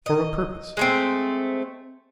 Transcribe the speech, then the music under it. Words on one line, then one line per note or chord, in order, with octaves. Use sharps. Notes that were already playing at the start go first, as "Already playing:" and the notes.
For a purpose.
D#5
G#3 A3 C4